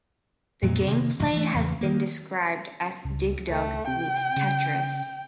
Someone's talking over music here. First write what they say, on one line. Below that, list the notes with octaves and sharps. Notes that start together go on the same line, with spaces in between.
The gameplay has been described as Dig Dug meets Tetris.
F2 A#2 F#3 G#3
C3 D#3 F3 A#3
A1 G2 C3 G#3
E3 A3
A1 E2 C#3 E3
D#3 A#3
C#2
C#2 A3
C3 G5
C#3